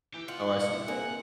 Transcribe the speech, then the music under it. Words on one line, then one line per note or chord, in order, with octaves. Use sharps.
Oh, I see.
E3 G4
F4 F#5
E4
A#3 C4 G#4